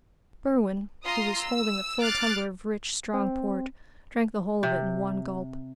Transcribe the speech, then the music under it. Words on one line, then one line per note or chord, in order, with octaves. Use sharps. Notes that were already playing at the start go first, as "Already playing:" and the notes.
Berwin, who was holding a full tumbler of rich, strong port, drank the whole of it in one gulp.
F4 A#5 C6 D#6
E6
D6 F6 F#6 A6 C7
C4
C3